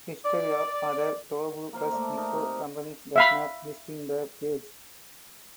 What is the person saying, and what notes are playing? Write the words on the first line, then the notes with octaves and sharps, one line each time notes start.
History of other Tobu Bus Nikko companies does not list in the page.
D5
A#3 A#4 C5 F5
A3 D5 E5
D#4 A#4
C3
E5 F5 B5